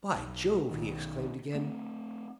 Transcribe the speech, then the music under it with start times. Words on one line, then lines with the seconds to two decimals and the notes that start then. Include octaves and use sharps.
"By Jove!" he exclaimed again.
0.15 B1
0.71 B1 D#3
1.55 A3 C4